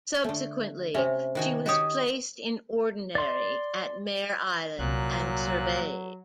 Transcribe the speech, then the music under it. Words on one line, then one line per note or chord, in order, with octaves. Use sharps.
Subsequently, she was placed in ordinary at Mare Island and surveyed.
D3 A3
C3 C#4 C5 E5
D#3 F#4 G#5
F#4 G4 C#5 D#5 D#6
D5 C6
C2 A#2 F#3 F#6